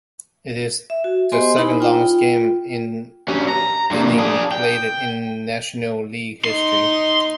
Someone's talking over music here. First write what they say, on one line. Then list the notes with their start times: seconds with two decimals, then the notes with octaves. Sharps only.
It is the second longest game in innings played in National League history.
0.90 E5
1.04 F#4
1.32 B3 G4 C5 D#5 G#5 C6
1.57 D#4 E4 B5
1.80 F4 G5
3.28 G2 C#4
3.49 A#5
3.91 G2 A#2
4.18 D4 G#4
4.52 G5
6.44 D#4 C6